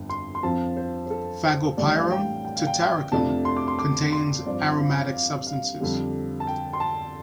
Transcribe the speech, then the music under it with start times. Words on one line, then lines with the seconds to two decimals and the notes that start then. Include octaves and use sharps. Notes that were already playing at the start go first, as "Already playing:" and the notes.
"Fagopyrum tataricum" contains aromatic substances.
Already playing: G1 F2
0.10 C6
0.35 C6
0.43 F2 F3 C4 A5
0.77 C5
1.06 C5
1.10 A4
1.44 C5
1.77 A1 A2 G3 D4 D5
1.94 F5
2.11 G5
2.45 G5
2.56 F5
2.67 G5
3.12 F2 C3 F3 A3 D4 A5
3.45 C6
3.57 D6
3.68 C6
3.79 D6
4.12 C6
4.46 G2 F3 C4 D5
4.80 F5
5.13 F5
5.47 F5
5.80 F2 D3 G3
6.40 A5
6.47 G5
6.73 C6
6.80 A5